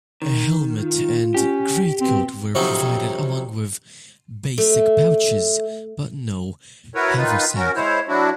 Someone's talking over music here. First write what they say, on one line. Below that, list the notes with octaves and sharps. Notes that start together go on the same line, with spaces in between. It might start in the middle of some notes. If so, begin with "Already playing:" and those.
A helmet and greatcoat were provided, along with "basic pouches" but no haversack.
D#3
F4
C#4 G4
B2 C4
F2 C3 F#3 C4 C#4 D#4
A3
E4 F#4 A#4 B4 C#5
D#3 D#4 F4 B4
C#4 F#4 A#4
G#3 E4 C5 C#5
F#3 D4 E4 F#4